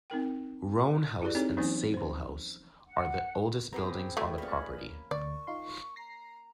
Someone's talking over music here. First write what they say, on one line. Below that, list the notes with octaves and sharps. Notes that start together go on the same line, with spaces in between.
Roan House and Sable House are the oldest buildings on the property.
C4 D#4 A#4 G5
E4 G4 G#4 B4 D5
C4 D4 D#4 G4 A4 C#5
E3 F#3 A#3 C4 C#4 D#4
F3 C5
F#5
B3 C4 G4 G#4 A#5 B5
F#3 A3 C#5 G5
A#3 C#4 G#4 B4 D5 B5
D2 D5 C#6
D#4 F4 C6
A#5 A#6 C7